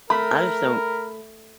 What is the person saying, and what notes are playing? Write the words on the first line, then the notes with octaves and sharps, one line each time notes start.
I just don't
A3 A#4 B5